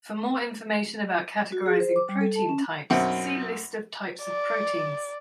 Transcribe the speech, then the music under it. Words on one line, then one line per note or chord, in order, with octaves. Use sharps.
For more information about categorizing protein "types", see List of types of proteins.
F#4
G#4
C5
D6
G3
A4
A5
C#4
B1 F#2 C4 E5 F#5
D5